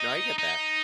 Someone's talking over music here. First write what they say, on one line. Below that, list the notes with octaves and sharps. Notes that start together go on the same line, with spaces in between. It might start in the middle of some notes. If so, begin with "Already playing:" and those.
No I get that.
Already playing: D#4
D#4